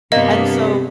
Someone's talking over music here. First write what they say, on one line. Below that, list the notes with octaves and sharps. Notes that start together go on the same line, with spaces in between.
and so,
G2 C3 A#3 B3 D4 D#5